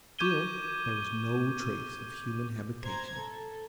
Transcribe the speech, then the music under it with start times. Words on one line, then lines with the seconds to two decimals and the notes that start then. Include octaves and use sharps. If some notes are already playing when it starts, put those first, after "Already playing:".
Still there was no trace of human habitation.
0.19 C#6 D6 G6 G#6 D#7 G7
2.84 C5 A#5 G#6
3.19 A4